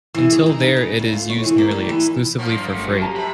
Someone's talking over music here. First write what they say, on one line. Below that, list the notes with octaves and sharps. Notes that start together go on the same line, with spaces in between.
Until there it is used nearly exclusively for freight.
E3
G#4
D#4
C#3
C#3
D2
F4
C#5
E3
A#3
G3
E3
F3 A#3 F5 F#5 C#6
G2
G1 F#2 A3 C#7
F#3
G4 A5 A#5
C3 B5